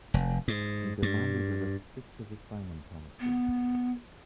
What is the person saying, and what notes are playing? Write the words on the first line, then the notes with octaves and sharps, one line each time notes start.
He demanded a restrictive asylum policy.
F1
G#2
G2
B3